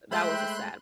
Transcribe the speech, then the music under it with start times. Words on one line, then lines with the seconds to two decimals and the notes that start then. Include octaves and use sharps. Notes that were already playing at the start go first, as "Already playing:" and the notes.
That was a sad
0.11 G#3 A3 C5 E5 G5 B5 C6 F#6